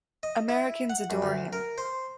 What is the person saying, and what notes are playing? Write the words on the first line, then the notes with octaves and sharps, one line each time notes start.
Americans adore him.
D#5
E4
F#5
F#2
D2
A#4
C5